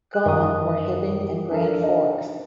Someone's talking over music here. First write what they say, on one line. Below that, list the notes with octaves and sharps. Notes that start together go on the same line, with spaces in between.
Gone were Hibbing and Grand Forks.
F#6
F#2 D#3 D#6
D4 A4 A#4
D#4